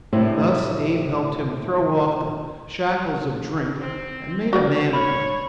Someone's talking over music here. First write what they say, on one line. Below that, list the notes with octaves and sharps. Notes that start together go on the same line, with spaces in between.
Thus Abe helped him throw off the shackles of drink and made a man of him.
A2 C3 C4 D4 E4
C4
F#4 A#4 D5
C#5 B5